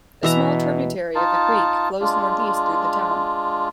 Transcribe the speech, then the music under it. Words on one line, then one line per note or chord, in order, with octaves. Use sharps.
A small tributary of the creek flows northeast through the town.
B2 E3 E5 A#5
D#4 F4 A5
G#3 D4 F4